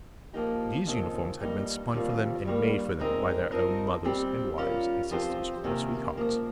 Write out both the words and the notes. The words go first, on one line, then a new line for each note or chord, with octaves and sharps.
These uniforms had been spun for them and made for them by their own mothers and wives and sisters or sweethearts.
F3 A#3 D#4 G4
D#2 C#3 F3 C4 D#4
G2 G3 A#3 D#4
D#2 D#3 G3 C4 F4
G2 G3 A#3
A#2 G#3 C4 D#4 A#4
F3 C4 D#4 A#4
G3 C4 G4
G3 C#4 F4 A#4
F3 C4 G4 C5
C3 D#3 A#3 C#4
G#2 F3 A#3